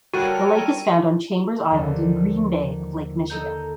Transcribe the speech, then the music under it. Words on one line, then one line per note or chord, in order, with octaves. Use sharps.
The lake is found on Chambers Island in Green Bay of Lake Michigan.
G3 F#4 A4 A#4 C#5 F#5 D#7
D#2 D3 F3
A4 D#5 A#5 G6